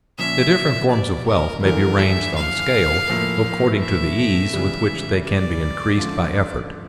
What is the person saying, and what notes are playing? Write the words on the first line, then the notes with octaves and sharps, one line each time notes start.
The different forms of wealth may be ranged on a scale according to the ease with which they can be increased by effort.
A#2 F3 C#4 E5
D5
A#4
E2 D3 F3 A3 E4 A#4
E5
F5
A2 F3 A#3
E5
C#3 E3 G3
D5
D3 F3 A3 C#4 F4